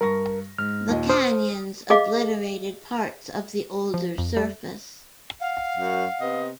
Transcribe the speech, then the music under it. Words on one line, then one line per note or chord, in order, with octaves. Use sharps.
The canyons obliterated parts of the older surface.
G2 A#4 C#6 A#6
G#2 F6
D#2 A#2 D#5
C5 D#6 F6
G#4 D#5 F5 D6
F3
F2
G3
F5 F#5
F#2
C3 B3 D#5